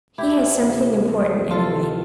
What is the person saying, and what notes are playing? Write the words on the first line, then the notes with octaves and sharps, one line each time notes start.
He has something important, anyway.
D2 E4 G4
C3 E3 A3
D2
C3 E3 A3 F4 A4